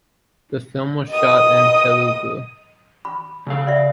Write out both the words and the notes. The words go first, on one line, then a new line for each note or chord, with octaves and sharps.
The film was shot in Telugu.
D#5 D#6
B5
C#3 A4 F5
D5 E5